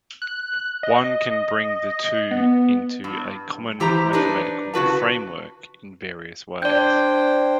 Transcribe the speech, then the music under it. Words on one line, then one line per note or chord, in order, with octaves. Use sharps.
One can bring the two into a common mathematical framework in various ways.
F#6
D#5
B3
G2
E3 G4 C5 A#5
D4 D#4 B4
C#3 F#4 B4 A5
D4 C5 D5 G5 G6